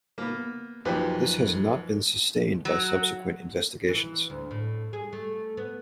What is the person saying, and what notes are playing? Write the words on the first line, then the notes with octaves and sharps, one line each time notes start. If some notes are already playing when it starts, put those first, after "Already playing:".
This has not been sustained by subsequent investigations.
A#3 B3
F#2 D#3 F3 A#3 G4 B4 C5
F#3
E3
D2
A2
G#4
A3
B3